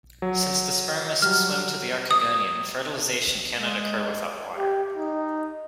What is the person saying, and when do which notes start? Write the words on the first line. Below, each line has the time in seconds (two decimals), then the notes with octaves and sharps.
Since the sperm must swim to the archegonium, fertilisation cannot occur without water.
0.22 F#3
1.22 F#3 G3 F6
2.11 D#6
3.53 G#3
4.57 G4
4.97 D#4